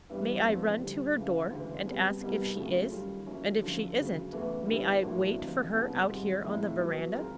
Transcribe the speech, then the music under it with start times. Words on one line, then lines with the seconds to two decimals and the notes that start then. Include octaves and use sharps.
"May I run to her door and ask if she is?--and if she isn't, may I wait for her out here on the veranda?"
0.09 G2 E3 G3 B3 D4
0.45 E2 C3 F3 A3 D4
0.79 D2 D3 G3
1.15 C#2 C#3 E3
1.50 D2 C#3 E3 G#3
1.85 B2 G3 C4
2.20 C2 B2 G3 A#3 D#4
2.56 F#2 C#3 F#3 A3 C4
2.91 D#3 G3 A#3 C#4 F4
3.26 D#3 F#3 A#3 C#4 E4
3.61 F#2 D3 F3
3.97 D2 C#3 F#3
4.32 E2 C#3 E3 A3
4.67 G2 D3 G3 B3 E4
5.02 A2 F3 A#3 D4 F#4
5.38 D2 C3 F3 A#3 D#4
5.73 C2 B2 G#3 C#4
6.08 G#2 D#3 G3 C4 F4
6.44 A2 F3 G#3 C4 D#4
6.79 B2 F#3 B3
7.14 D#3 G#3 C4 F4 A#4